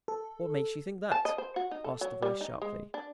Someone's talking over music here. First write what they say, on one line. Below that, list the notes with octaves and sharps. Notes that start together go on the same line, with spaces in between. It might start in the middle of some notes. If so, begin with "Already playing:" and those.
"What makes you think that?" asked the voice sharply.
A4
A5
D#5
C5
F#4
D#4
A4
F#3
G3
D#4
G#3
D4